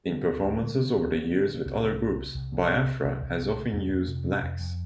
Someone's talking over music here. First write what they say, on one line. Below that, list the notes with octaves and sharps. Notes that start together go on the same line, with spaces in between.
In performances over the years with other groups, Biafra has often used "blacks".
D3 G3
D2
D2
D3 G#3
D3
D2
D2 A#3
D3
D3
A#3
C2 C4
C2
C3
C3
C2
C2
C3 C4
C3
C2
C2
C3
C3
F2 A#3
F2
A#3
C3
C3 C4
F2
F2